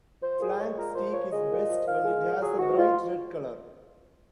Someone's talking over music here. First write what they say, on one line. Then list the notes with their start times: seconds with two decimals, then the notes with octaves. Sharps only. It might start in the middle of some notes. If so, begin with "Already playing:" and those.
Flank steak is best when it has a bright red color.
0.22 F3 C5
0.40 A#2 G#4
0.58 G#3 C#5
0.77 A#2 A#4
0.95 F3 C5
1.13 A#2 C#5
1.31 G#3 D#5
1.50 A#2
1.68 F3
1.86 A#2 F5
2.05 G#3
2.23 A#2
2.41 F#3 G#4
2.59 G#2 F#4
2.77 G#2 F4